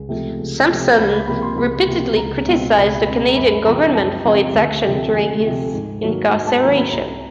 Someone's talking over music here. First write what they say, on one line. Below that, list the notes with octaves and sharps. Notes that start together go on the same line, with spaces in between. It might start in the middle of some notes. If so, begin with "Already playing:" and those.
Sampson repeatedly criticised the Canadian government for its actions during his incarceration.
Already playing: C#2
C3 F3 A3
C#2
C3 F3 A3
C#2 B5
B5
C3 F3 A#3 B5
C6
C#2 B5
C3 F3 A#3
C#2 A#5
B2 G#3 C4
C#2 B5
B2 G#3 C4 B5
A#5
F#2 B5
C#3 F3 G#3 C4 A#5
F#2 A5
C#3 F3 G#3 C4
D2
C3 F3 A3
D2 G#5
C3 F3 A3
G#2
D#3 F#3 A#3
G#2
A5
D#3 F#3 A#3 A#5
B5
C2 A#5